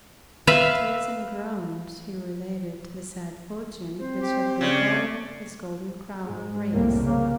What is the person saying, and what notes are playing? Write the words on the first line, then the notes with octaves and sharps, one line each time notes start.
With tears and groans he related the sad fortune which had befallen his golden-crowned race.
B4 E5 F5
C4 C5
G4
C#3 D5
G#2 G#3
C2 F2 A2 G3 A#3
C#3 A#3